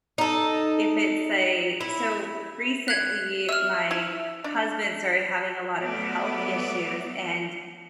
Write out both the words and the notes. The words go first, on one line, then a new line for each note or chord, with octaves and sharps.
if it's a So, recently, my husband started having a lot of health issues and
D#4 A4
E4
F#6 G#6
E5 E6 F6
E4
D4
F#3 A3 B3 D5 E5